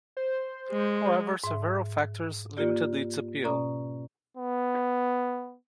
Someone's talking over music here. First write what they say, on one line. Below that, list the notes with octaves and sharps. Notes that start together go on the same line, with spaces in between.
However, several factors limited its appeal.
C5
G#3
G#2 E5
A#3 F4 G4 D5
B2 C#4 D5 A#5
B3